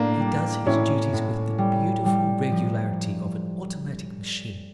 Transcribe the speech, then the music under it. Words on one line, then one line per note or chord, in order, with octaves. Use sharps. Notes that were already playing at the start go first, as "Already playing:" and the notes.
He does his duties with the beautiful regularity of an automatic machine.
Already playing: A2 A#3 D4
G3
A2 C#4 E4
A2
G3
G3
F3